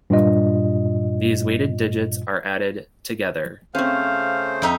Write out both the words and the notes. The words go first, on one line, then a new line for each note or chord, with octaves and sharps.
These weighted digits are added together.
G2 A#2 F4 D#5
C#3 A3 C4 C#4 C5 F5
F2 D#4 E5